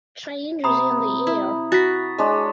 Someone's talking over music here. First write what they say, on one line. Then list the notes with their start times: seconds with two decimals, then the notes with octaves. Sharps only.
Change is in the air.
0.64 C3 A#5 B5 D#6
1.27 E4
1.72 F#4 A#5 A6 B6
2.18 G#3 D4 C#5